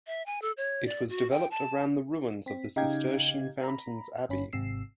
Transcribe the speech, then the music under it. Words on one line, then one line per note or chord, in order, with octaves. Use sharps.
It was developed around the ruins of the Cistercian Fountains Abbey.
E5
G#5
A4
C#5
D5
F#4
G5
A5
C4 B6
C#3 D#4 G4 F5 G5 G#6
A#5 B5
G1 C#4 B5
G#1 C3 E6 C7